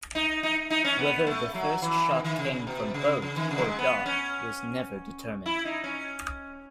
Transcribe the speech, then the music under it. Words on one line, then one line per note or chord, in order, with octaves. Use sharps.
Whether the first shot came from boat or dock was never determined.
D#4
D#4
D#4
C#4
B3
A3
F#3
E3
D#3
D#3
C#3
C#3
B2
C#3
C#3
D#3
C#3
F#3
G#3
B3
C#4
E4
D#4
C#4